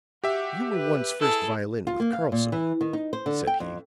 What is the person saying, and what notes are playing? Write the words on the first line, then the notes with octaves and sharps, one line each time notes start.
"You were once first violin with Karlson," said he.
F#4 G4 E5
B4
E4 G#4 A4
F4
A#3
F5
A#2
E3
D#3
D#4
C5
D3
G5
F2